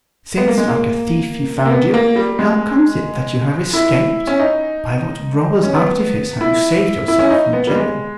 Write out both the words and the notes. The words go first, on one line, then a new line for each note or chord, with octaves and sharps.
Since, like a thief he found you, how comes it that you have escaped,--by what robber's artifice have you saved yourself from gaol?'
B3
A#3
G#3
A#3
A#3
B3
A#3
G3
G#3
E4
C#4
D#4
C#4
B3
E4
E4
C#4
D#4
B3
G3
G#3